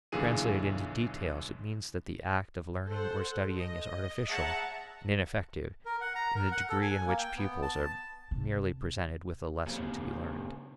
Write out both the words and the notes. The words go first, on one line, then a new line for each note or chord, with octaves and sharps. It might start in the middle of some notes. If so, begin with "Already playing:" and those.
Translated into details, it means that the act of learning or studying is artificial and ineffective in the degree in which pupils are merely presented with a lesson to be learned.
B1 A#2 D3 E3 G#4 D#7
A4 C5 F#5
D#5
G#4 C#5 E5 F#5 A5 A#5
A#4
F#5
A#5
A#4
F#5
A4
G#5
A#3
G5
B3
A5
C3
A#2 C#3